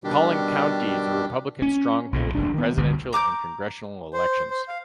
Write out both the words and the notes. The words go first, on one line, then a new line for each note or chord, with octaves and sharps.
Collin County is a Republican stronghold in presidential and congressional elections.
B2 D#3 G3 D4 G4
C#4
B1 A#2 C#3
F1 D#2 D4
D#3 B3
G1 D2 G#2 D3
A#5 D6 E6 G6
C5
C5
F5